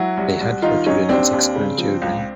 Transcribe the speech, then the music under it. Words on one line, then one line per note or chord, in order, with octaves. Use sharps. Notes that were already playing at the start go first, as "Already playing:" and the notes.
They had four children and six grandchildren.
Already playing: F#3 E4 F#4
C2
C2
D#3 D#4 F4
F#3 C#4 D#4
D#2 C4 D4
D#2
C#3
F3
C#2